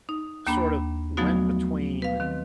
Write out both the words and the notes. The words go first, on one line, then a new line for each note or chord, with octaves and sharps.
sort of went between,
D#4
D#2 A#3 D4 B5
F3 F#3 A3 B3 D#4 F#4
B4 F5
D#3 C4